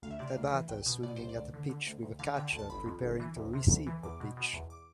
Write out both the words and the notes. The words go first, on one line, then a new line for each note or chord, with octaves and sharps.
A batter swinging at a pitch with a catcher preparing to receive the pitch.
D2 F5
E5
C3 D5
F5
D2
E3
C2 G5
B2
B2 D5
C2 C5
D5
D2
D3
D3
D2
D2
D3 F5
D3 G5
A5
D2
A5
G1 B5
F2
G1
E3
D2
C3
D2
E3
E2 D6
B2
B2
E2
D6